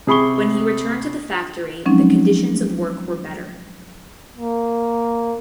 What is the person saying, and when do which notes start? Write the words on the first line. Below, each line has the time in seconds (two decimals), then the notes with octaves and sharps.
When he returned to the factory the conditions of work were better.
0.07 C3 G#4 B5 C#6 G7
1.86 F3 F#3 G#3 C4 C#4 D#4
4.37 A#3